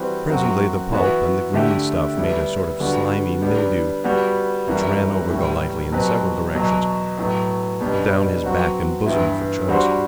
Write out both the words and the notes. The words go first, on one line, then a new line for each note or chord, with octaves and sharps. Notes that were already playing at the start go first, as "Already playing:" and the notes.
Presently, the pulp and the green stuff made a sort of slimy mildew which ran over Golightly in several directions--down his back and bosom for choice.
Already playing: E3 G3 C4 F#4 B4
F#2 F#3 C4 F#4
E3 B3 F#4
D3 A3 E4 G4
G3 B3 E4
D3 G3 B3 F#4
G3 B3 D4
G3 B3 F#4
F#2 E3 G3
A2 E3 G3
B2 F#3 C4 G4 B4
E2 B2 F#3
A2 F#3 B3
B2 G3 B3 D4
F#3 C4 F#4 B4
G2 E3 B3 E4
G3 D4 F#4 C5